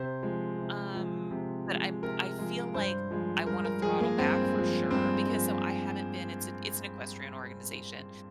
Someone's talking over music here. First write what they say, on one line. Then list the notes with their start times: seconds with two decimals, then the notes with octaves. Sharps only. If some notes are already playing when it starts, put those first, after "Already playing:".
um, but I'm I feel like I wanna throttle back for sure because so, I haven't been it's an it's an equestrian organization.
Already playing: C3 C5
0.22 F3 G#3
0.59 C3
0.95 F3 G#3
1.31 C3
1.66 F3
1.71 G#3
2.02 C3 A#4
2.39 F3 G#3
2.74 G2 C5
3.11 F3 G#3
3.46 G2 A#4
3.65 A#4
3.82 F3 G#3 G#4
4.00 A#3
4.18 G2 C4
4.54 F3 G#3
4.90 G2 C4
5.26 F3 G#3